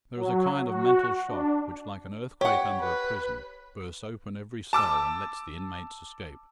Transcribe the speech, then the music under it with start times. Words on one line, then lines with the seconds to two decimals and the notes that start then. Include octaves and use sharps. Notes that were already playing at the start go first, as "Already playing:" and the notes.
There is a kind of mental shock which, like an earthquake under a prison, bursts open every cell and lets the inmates escape.
0.16 F#3
0.65 F#4
1.28 D4
2.41 G4 C#5 F#5
2.80 B4
4.73 A5 D6 E6